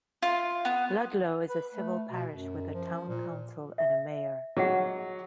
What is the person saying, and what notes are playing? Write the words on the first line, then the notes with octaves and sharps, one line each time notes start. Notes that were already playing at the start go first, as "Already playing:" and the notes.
Ludlow is a civil parish with a town council and a mayor.
F4
B3
B4
A3
B2
F#2
F3
A#2
E5
F#3 G#4 D#5 F#5